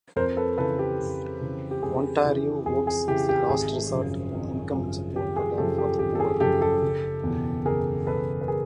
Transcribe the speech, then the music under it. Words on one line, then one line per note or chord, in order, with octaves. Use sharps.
Ontario Works is a last-resort income support program for the poor.
F2 A#4 C5
A4 B4
C#3 E3 A4 B4
G4 A4
F2
C#3 E3
G4
F2 G#4
C#3 E3
F2 G#4
G#4
C#3 E3 G4
G4
G#1 G#4
F#2 C#3 F3
G#1
F#2 C#3 F3
G#1 G4
G#4
F#2 C#3 F3 G4 A4
G4 A4
G#1 G4
A4
G#4
F#2 C#3 F3 G4 A4
G4 A4
F#1
E2 B2
F#1 G#4 A#4
E2 B2 A4 B4
B4
G#4 A#4